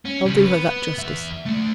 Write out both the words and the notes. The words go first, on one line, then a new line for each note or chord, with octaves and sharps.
I'll do her that justice.
C#4
C#3 G3
B3
E2 E5
A3 D4